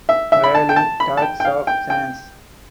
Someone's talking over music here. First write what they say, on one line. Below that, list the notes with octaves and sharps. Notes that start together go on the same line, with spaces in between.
Raylan talks of change.
E5
E5
B5
A5
G5
A5
B5
A5
G5
G5
F5
G5
G5